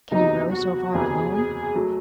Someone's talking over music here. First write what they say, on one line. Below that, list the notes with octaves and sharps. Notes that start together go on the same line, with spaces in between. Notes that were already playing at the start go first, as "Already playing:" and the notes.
"Can you row so far alone?"
F#1 E2 C3 F#3 D#4
F#4
F#1 E2 C3 F#3 G#4
G#4
F#3 A3